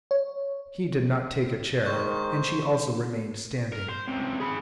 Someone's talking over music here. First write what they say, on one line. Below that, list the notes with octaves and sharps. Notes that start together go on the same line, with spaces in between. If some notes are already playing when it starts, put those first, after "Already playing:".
He did not take a chair, and she also remained standing.
C#5
D#3 G#3 C5 C#6 G6
A#4
C5
C#2 C3
G#4 B5